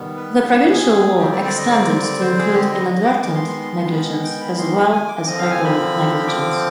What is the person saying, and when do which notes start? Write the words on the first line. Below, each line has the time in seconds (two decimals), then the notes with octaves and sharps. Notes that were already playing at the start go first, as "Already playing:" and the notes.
The provincial law extended to include "inadvertent negligence" as well as regular negligence.
Already playing: D#3 G3 B3
0.17 B4
0.68 G#4
1.19 D3 G3 C4 G4
1.31 D5
1.44 D5
1.57 D#5
1.70 D5
2.21 C5
2.38 G#4
2.54 G4
2.72 D#5
2.89 D#5
3.05 D6
3.22 D#3 G#3 B3 D6
3.35 C6
3.48 C6
3.61 C6
3.73 C6
3.91 B5
4.23 G5
4.41 B5
4.58 C6
4.74 B5
4.92 G#5
5.08 D6
5.26 D3 F3 C4 D#5
5.38 F5
5.51 G#5
5.64 B5
6.28 D6